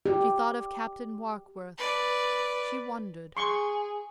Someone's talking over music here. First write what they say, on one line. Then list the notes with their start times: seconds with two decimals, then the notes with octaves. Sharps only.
She thought of Captain Warkworth. She wondered.
0.06 G4
1.78 B4 D5
3.37 G#4 C6 C#6